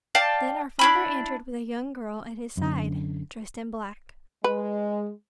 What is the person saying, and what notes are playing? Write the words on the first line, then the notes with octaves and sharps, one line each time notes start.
Then our father entered with a young girl at his side dressed in black.
D5 F5 G5 A5
D4 E4 B5
F#2 D3
G#3 B4